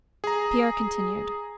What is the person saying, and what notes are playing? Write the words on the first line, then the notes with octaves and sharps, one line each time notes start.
Pierre continued.
G#4 A#5